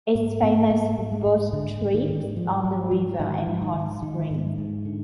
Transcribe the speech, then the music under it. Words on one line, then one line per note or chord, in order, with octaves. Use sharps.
It is famous for boat trips on the river and hot springs.
G#2 A#3
G#2 B3
G#2 A#3
G#2
G#3
G#2
G#2 D3
G#2
D#3
G#2
G#2 F3
G#2 F#3
G#2 F3
G#2 D#3
G#2
D#3
G#2
G#2 D#3
G#2
G#2
D3